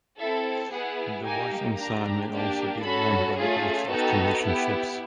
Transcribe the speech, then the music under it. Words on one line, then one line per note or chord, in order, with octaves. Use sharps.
The White Ensign may also be worn by the boats of commissioned ships.
C4 E4 A4 E5
B3 E4 G#4 F#5
A#3 D#4 G4 G#5
D4 G4 A#5
A#3 D4 G4
C#4 F#4 A4 B5
A3 C#4 F4 G#4
B3 D#4 F#4 A4 G5
B3 E4 G4